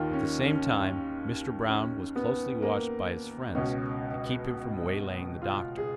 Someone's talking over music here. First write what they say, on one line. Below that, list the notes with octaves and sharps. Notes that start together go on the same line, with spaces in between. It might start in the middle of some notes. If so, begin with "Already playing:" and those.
At the same time Mr. Brown was closely watched by his friends to keep him from waylaying the doctor.
Already playing: D#2 D#3 F4
C#4
C#4
C#4
B3
A#3
C#2 B2 C#4
F4
G#4